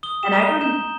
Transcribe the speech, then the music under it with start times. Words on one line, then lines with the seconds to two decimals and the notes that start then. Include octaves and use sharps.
And I remem
0.03 D#6 G7
0.23 E7
0.32 A#5
0.42 G7
0.61 G6 E7